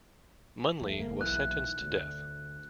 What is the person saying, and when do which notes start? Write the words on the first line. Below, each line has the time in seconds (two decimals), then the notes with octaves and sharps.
Munley was sentenced to death.
0.81 F2 A3
0.96 G1 G#3 A#3
1.21 B1 E3 F#6
1.81 D2